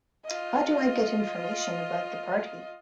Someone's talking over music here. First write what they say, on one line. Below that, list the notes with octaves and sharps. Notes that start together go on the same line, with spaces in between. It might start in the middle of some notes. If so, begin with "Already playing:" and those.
How do I get information about the party?
F4 D#5